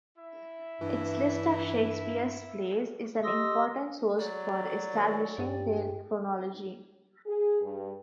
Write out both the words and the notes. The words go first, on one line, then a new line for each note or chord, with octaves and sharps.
Its list of Shakespeare's plays is an important source for establishing their chronology.
E4 E5
G2 E3
G4 D#5 C6 D#6 E6 A#6
F#3 D5
D#3
G2 G4
G#4
G2